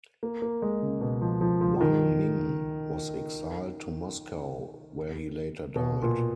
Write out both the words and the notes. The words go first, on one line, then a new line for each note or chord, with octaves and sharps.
Wang Ming was exiled to Moscow where he later died.
A#3
A#3
G#3
C#3
B2
F3
F3
F3
F3
D#3
B2
A#2